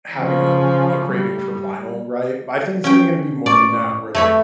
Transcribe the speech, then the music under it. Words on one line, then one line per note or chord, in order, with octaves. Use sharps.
having a a craving for vinyl, right? But I think it's even gonna be more than that where, like,
C#3 F3
G3
C#4 G5
A2 D5 C#6
F2 A3 C#5 B5